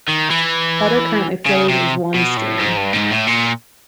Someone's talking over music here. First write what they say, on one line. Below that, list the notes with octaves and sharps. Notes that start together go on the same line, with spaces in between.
Water currently flows as one stream.
D#3
E3
C#3
C3
B2
A2
G#2
G2
G#2
A2
A#2